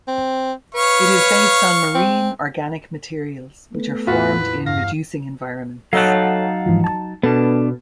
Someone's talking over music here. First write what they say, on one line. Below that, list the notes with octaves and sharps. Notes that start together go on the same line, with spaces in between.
It is based on marine organic materials, which are formed in reducing environments.
C4
B4 C#5 F5 C#6
C4
A3 B3
E2 A2 F4 F#4 B4
G2 F5 A#6
F#3 D#4 A4 C#5 F5 F#5 A5
G#2 E3 F3
A5
B2 B3 D4 A4